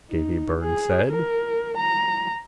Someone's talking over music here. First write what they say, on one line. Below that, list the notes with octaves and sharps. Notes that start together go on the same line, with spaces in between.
Davy Byrne said...
D#4
G#4
A#4
A#5